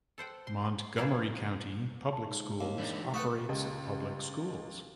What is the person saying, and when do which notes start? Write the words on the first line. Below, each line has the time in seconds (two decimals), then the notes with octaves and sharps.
Montgomery County Public Schools operates public schools.
0.18 A4 C5 F#5 G5
0.47 C6
0.96 E3 F3 A#3 B3 G#4 C5
2.13 A5
2.26 G#2
2.61 D#2
2.78 E3 D4
3.14 A3 B4 F#5 B5 C#6 D#6
3.49 C#2 C#3 G4 D#5